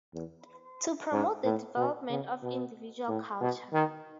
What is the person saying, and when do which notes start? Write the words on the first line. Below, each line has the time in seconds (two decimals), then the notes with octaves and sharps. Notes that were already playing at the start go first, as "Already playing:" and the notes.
To promote the development of individual culture.
0.14 E2
1.12 G#2
1.45 A2
1.77 B2
2.10 C#3
2.43 B2
3.08 A2
3.41 B2
3.73 D#3